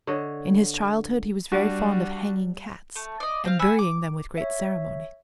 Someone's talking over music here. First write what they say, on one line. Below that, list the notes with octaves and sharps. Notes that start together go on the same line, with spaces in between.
In his childhood he was very fond of hanging cats, and burying them with great ceremony.
D3 C#5 D#5
G3 D4 F#4
A3
D5 D#5
C4 F5
F#5 G#5 B5 E6
D6
C#5 E5